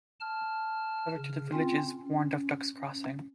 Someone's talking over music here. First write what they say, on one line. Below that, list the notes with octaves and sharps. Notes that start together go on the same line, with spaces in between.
Traffic through the village is warned of "ducks crossing".
A5 F6
C#3
C4 C#4 F4
C#4